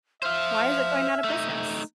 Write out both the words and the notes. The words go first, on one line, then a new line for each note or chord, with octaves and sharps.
Why is it going out of business?
C5 E5 F5 F6
A3 D#4